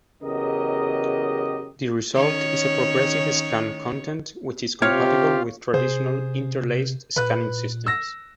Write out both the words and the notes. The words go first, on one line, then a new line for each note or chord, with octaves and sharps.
The result is a progressive-scan content, which is compatible with traditional interlaced scanning systems.
E2 C#3 F#3 G4 A#4 D#5
D#3 C#4 C#5
C3 F4 G4 C#5 F5
C3 G#4 C5
A#2 B4 F#6
E6 A#6